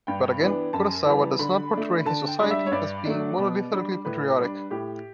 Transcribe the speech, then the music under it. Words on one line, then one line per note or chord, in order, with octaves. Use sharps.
But again, Kurosawa does not portray his society as being monolithically patriotic.
G2 G5
E3 B3 D4
F#2 A5
E3 G3
D3 B5
A3 D4
D3 A5
G5
G3 D4
E5
C#5
G2 D5
F#3 A3 D4
B2
G3 D4
A2 B4
G3 D4
A2 G4